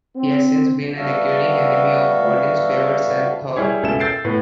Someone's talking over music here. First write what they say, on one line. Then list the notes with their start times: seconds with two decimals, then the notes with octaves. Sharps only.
He has since been a recurring enemy of Odin's favored son, Thor.
0.16 C4
0.97 G3 B3 F#4 A4 E5 F5
3.56 G3 E4 G4 G#4 C#5
3.83 C#2 B2 A4 E5 G#5 E7
3.99 E6 G6 A6 C7 D7
4.25 A2 B3